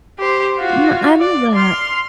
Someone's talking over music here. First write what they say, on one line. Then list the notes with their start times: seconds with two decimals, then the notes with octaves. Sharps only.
No, I love that.
0.19 G4 C5
0.59 F4 F#4
1.20 D5
1.55 C6 F6